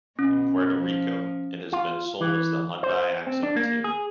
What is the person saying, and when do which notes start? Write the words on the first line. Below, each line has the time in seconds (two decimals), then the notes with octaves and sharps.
In Puerto Rico, it has been sold as the Hyundai Accent too.
0.19 B2 C#4
0.74 F3
1.73 F4
2.20 E3
2.83 C5
3.27 C4
3.43 D4
3.56 A#3
3.84 G#4